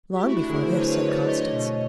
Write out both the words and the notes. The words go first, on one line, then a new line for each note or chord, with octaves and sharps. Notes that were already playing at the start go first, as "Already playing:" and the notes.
"Long before this," said Constance.
G4
A3 E4 F#4
D4 E4
D3 G#4 A#4
A#4 C5
F#3 B4 C#5
B4 C#5
D3
C5 D5
A3 C#5 D#5
B2